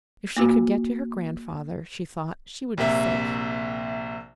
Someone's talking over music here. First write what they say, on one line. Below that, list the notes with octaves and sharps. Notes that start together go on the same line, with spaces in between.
If she could get to her grandfather, she thought, she would be safe.
A#3 F4 F#4
A#1 C3 A#3 E5